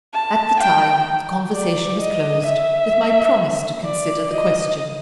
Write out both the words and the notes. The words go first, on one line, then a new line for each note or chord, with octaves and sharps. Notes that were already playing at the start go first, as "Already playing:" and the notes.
At the time the conversation was closed, with my promise to consider the question.
A5
G5
D5
D#5
E5
D5
D#5